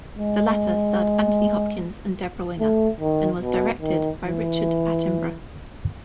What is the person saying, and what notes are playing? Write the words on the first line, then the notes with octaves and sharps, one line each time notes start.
The latter starred Anthony Hopkins and Debra Winger and was directed by Richard Attenborough.
G#3
A3
D#3
B2
D#3
E3